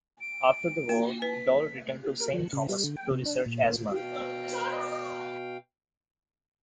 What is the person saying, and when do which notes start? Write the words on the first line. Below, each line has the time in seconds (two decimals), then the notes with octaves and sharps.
After the war, Doll returned to Saint Thomas' to research asthma.
0.21 D7
0.89 A#3
1.22 B4 B6
2.20 A#4
2.33 F3
2.53 C#3
2.69 G3
2.84 D3
2.97 G5
3.11 C3
3.25 D4
3.46 A#2
3.64 A#3
3.95 B2 F5 G5